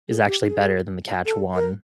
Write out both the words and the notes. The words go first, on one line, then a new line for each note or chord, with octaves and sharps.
is actually better than the Catch One
G#4
G4
G#4
A4
A#4